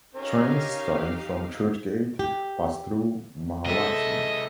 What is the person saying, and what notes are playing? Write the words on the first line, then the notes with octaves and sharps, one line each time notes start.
Trains starting from Churchgate pass through Mahalaxmi.
C#4 D#4 G4 A#4 F5
G4
C3 G#3 G#4 A4 D#5 E5